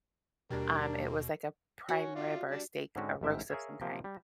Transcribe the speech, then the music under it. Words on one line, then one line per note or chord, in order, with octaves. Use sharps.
Um, it was like a prime rib or a steak, a roast of some kind.
D#2 B2 G3 D4 A#4
F#4 C#5 G#5
F4 D5 E5
G3 D4
G#2 D3 G#3 C4 C#4 F#4
A1 G#2 E5 G5
G#4 A#4 C#5 E5 F5
C3 F3 A#3 G5
G3